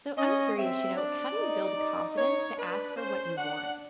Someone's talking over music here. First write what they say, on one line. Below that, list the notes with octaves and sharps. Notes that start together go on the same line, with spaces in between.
So, I'm curious, you know, how do you build confidence to ask for what you want?
C#4 D#5
C4 E5
D4 D5
D#4
D#4
C#5
D4 B4
C#4 C5
D4 F#5